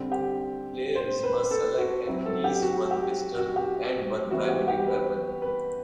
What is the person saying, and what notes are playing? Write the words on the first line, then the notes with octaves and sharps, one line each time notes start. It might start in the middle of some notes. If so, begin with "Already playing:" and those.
Players must select at least one pistol, and one primary weapon.
Already playing: D3 G3 C4
G4
C5
B4
A4
F#4
F#3 C4 E4
A4
G4
F#4
G4
F#4
G4
E3 G3 B3 E4 F#4
G4
G4
B4
B4